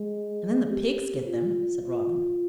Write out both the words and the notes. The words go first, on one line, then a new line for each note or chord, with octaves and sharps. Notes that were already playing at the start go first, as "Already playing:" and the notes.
"And then the pigs get them," said Robin.
Already playing: G#3
G4
F4
F4